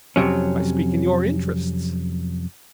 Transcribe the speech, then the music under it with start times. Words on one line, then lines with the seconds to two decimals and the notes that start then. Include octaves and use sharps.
I speak in your interests.
0.16 F2 C3 F#3 C#4